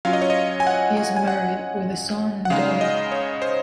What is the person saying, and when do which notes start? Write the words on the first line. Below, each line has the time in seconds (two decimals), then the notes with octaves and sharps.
He is married, with a son and a daughter.
0.05 F#3 C#4 F4 F5
0.13 D#5
0.22 C#5
0.30 D#5
0.60 G#5
0.67 F#5
0.97 G#5
1.16 G#5
1.28 F#5
2.45 F#5
2.50 C#3 G#3 D#4 F5
2.81 D#5
3.12 C#5
3.42 C5